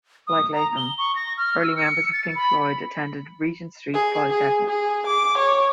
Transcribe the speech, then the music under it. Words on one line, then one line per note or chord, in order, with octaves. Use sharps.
Like Latham, early members of Pink Floyd attended Regent Street Polytechnic.
D#6
A#5
G7
C#6
A#6
F6
E6
C#7
A6
B5
G#4
G#4
G#4
D6
C#5